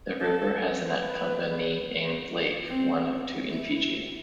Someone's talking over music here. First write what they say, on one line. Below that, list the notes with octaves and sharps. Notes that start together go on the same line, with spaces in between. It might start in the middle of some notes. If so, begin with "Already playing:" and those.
The river has an accompanying lake, one of two in Fiji.
A4
B4
C4
E4